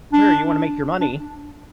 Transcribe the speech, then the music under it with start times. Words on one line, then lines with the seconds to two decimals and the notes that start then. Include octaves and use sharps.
Sure, you wanna make your money.
0.13 D4
1.01 D4